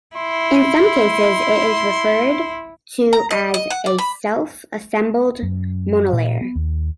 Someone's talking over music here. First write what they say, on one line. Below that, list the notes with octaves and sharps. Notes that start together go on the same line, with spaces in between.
In some cases it is referred to as a self-assembled monolayer.
E4 C6
A#5
D#5
D#5
F#5
D5
B5
F#2
A#2
B3
D#2